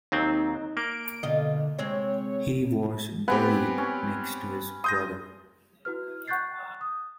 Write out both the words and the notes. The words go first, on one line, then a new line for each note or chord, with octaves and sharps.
He was buried next to his brother.
D#2 F#3 C4 D#4
A#3 D7
B2 D3 F4 D#5
C3 G#3 C4 C#5
B3 C4 G4 B4 F#5 G#5
C#4
C6 D#6 G6 A#6
E4 F#4 B4 F6
F#5 C#6 F#6 G6 A6 C7
D#6